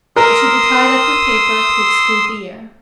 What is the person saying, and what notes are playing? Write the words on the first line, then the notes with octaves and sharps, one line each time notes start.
It should be tied up with paper to exclude the air.
A#4 C6 D#6 E6